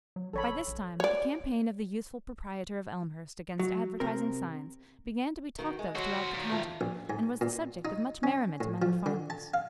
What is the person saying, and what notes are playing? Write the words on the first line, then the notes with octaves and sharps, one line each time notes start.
By this time the campaign of the youthful proprietor of Elmhurst against advertising signs began to be talked of throughout the county, and was the subject of much merriment among the farmers.
F#3
A1 A4 C#5 B5
E1
A#1
C#5 D5
F#3
C3 A#4
D#3 F#4
G#3
F#3 F#4 C5
A#2 D#3
A2 F4
A#1
G#2
A#2
D#4
C#4
A2
F3
D3
A5
F5